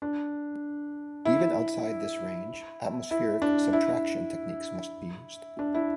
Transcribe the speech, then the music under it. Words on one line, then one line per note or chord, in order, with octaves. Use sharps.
Even outside this range, atmospheric subtraction techniques must be used.
D4
E4
E4
D4
E4
D4
E4